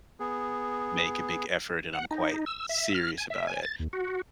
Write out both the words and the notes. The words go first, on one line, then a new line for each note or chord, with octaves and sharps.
make a big effort, and I'm quite serious about it.
B3 G#4
F#5
D#4
E6
E5
F6
G#5
E5
G#5
A6
D#2
F#4